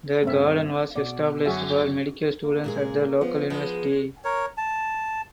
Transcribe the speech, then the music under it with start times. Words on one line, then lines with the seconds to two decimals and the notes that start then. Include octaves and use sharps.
The garden was established for medical students at the local university.
0.23 G2 B2 A3 C4 E5
0.96 B2 D5
1.45 F#2 D3 F#4 G#4 E5
2.44 A#3
2.64 A#2 G#3 G#4
3.21 F3 B3
3.50 F3 G#3 B3
4.24 A#4 C#5
4.57 A5